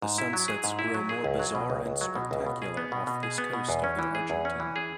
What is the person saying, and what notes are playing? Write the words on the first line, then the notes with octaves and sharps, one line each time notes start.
The sunsets grow more bizarre and spectacular off this coast of the Argentine.
G#2
E4
F#3
G#4
G#2
E4
F#3
G#4
C#2
F#3
B2
C#2
C#2
F#3
B2
C#2
B2
G#4
B3
B2
B2
G#4
B3
B2
E2
C#4
E3
G#4
E2
C#4
E3
G#4